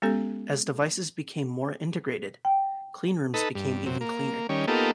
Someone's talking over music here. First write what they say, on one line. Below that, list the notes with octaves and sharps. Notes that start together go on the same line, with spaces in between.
As devices became more integrated, cleanrooms became even cleaner.
G#3 B3 C#4 G4 A4
G5
D#4 A4 B4
G2
F#2 C3
A#3
D#3 G3 C#4
A#3 B3 D#4 F4 G4 A4